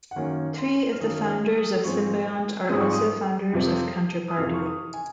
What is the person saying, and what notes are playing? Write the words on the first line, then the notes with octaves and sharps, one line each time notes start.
Three of the founders of Symbiont are also founders of Counterparty.
F#5
F#2 D#3 A#3 C#4 G#5
C6
F6
F#2 D#3 A#3 C#4 D#6
F6
D#6
G#2 F3 G#3 C4 C#6
G#2 F3 G#3 C4 D#6
C#6
D#6
F2 C3 F3 C4
D#6
F2 C3 F3 C4 F6
C#6
D#6
G#5